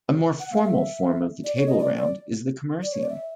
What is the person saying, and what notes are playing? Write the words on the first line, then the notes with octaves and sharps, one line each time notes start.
A more formal form of the tableround is the commercium.
F#5
F5
E5
D5
C#5
D#5
D5
D5
D5
C#5
D5
E5